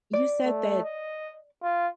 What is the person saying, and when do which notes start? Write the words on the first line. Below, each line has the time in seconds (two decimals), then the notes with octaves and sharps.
You said that
0.13 D5
0.45 A3
0.84 D#5
1.63 F4